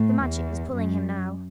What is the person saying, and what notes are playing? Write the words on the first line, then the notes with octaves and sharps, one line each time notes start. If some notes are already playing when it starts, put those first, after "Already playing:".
The Magic was pulling him now.
Already playing: A2
E2
F#2